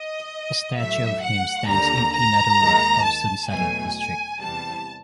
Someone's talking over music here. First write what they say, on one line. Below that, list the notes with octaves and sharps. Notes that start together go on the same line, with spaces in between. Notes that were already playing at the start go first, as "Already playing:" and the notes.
A statue of him stands in Inaruwa of Sunsari District.
Already playing: D#5
A2 F#3 A3 E5
F#5
D#2 D3 G3 A#5
A#5
D#2 D#3 G#3
A5
E2 B2 F#3 A3 G#5
G#5
E2 C3 E3 G3 A5